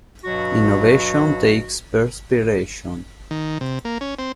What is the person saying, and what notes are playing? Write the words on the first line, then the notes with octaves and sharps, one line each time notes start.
Innovation takes perspiration.
G2 B2 F#3 F#4
D#3
C3
A#3
C#4
C4